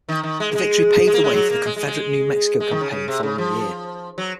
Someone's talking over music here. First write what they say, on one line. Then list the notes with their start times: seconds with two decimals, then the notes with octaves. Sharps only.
The victory paved the way for the Confederate New Mexico Campaign the following year.
0.08 D#3
0.23 D#3
0.40 G#3
0.51 A#3
0.55 G#3
1.07 G#3
1.14 A#3
1.24 G#3
1.34 F#3
1.50 A#3
1.66 G#3
1.76 G#3
1.87 G#3
2.60 G#3
2.71 D#3
2.81 C#3
2.91 C#3
3.08 C3
3.23 C#3
3.38 F3
4.18 F#3